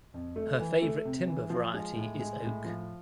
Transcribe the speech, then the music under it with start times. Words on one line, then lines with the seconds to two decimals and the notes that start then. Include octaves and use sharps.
Her favourite timber variety is oak.
0.14 F2
0.36 A3
0.59 E3
0.82 A3
1.05 C3
1.27 E3
1.50 F3
1.74 G#3
1.96 A2
2.19 G#3
2.42 A2
2.65 F3